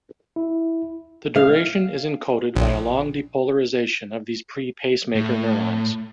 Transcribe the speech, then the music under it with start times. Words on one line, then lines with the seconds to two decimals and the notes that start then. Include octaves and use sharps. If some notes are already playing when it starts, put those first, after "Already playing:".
The duration is encoded by a long depolarization of these pre-pacemaker neurons.
0.36 E4
1.36 F5
2.55 A#1
5.15 A2